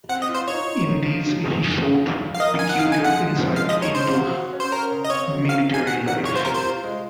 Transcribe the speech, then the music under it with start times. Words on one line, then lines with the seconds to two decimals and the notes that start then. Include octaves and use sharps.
In these he showed peculiar insight into military life.
0.09 C4 F#5
0.22 D#5
0.29 F4
0.35 C5
0.48 D#4 C#5
0.67 D#4
0.86 D#4
1.05 F3
1.24 F#3
1.44 G#4
1.64 G#4
1.82 G#4
2.01 F3
2.21 F3
2.35 F5
2.40 A#4 D#5
2.59 F3 G#5
2.69 F#5
2.79 D#4 F5
2.92 G#5
2.99 F3
3.04 F#5
3.17 G#3
3.37 F3
3.56 G#3 F5
3.69 D#5
3.75 D#4
3.82 C#5
3.94 C#3 C5
4.14 F#4
4.34 F#4
4.53 C#4
4.60 C5
4.72 C#4 A#4
4.91 C#3
5.04 D#5
5.10 C4 C#5
5.30 F#3
5.49 C4 F5
5.67 D#4
5.74 G#5
5.87 D#3 F#5
6.07 D#3 F#5
6.25 F4 C#5
6.35 C5
6.45 C3 A#4
6.55 C5
6.65 F4
6.84 G#3